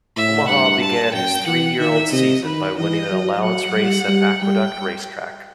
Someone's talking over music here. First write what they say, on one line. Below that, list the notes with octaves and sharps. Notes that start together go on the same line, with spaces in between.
Omaha began his three-year-old season by winning an allowance race at Aqueduct Race Track.
A2 E5
G2 F#5
A5
F#2 G5
E3 F#5
D#3 E5
C3 D#5
D#3 B4
E3 D#5
F#3
F#3 F#5
G3
G3
G3 G5